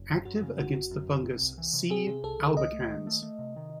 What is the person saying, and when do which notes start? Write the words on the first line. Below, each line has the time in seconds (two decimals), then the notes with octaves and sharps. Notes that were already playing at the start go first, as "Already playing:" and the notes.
Active against the fungus C.albicans.
Already playing: F#1
0.09 F#2
0.25 F#2 F#4
0.43 C#3
0.58 F#1 F#4
0.76 F#1
0.91 F#2
1.07 F#1
1.25 C3
1.41 C2
1.58 E3
1.73 C3
1.90 C4 G#4
2.07 C3
2.23 C2 A4
2.40 E3
2.57 C2 D#5
2.73 A3
2.89 D#3
3.07 A3
3.22 A3
3.39 C3
3.56 D#3